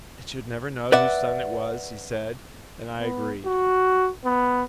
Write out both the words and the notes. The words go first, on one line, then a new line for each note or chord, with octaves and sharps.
It should never know whose son it was, he said, and I agreed.
B4 D5 E5 F#5
B3
F#4
B3